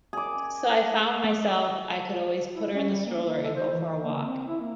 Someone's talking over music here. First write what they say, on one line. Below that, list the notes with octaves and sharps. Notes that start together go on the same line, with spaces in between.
so I found myself I could always put her in the stroller and go for a walk,
G#4 D6
A3
E4
C#4
G3
A#3
A#3
A4
C5
E3
A#3
C4
E4
A#3